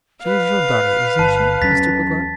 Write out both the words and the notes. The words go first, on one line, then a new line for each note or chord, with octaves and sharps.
'She is your daughter, isn't she, Mr. Peggotty?'
B4 F5
G1 A5
E2 F#3 C#4 A6 B6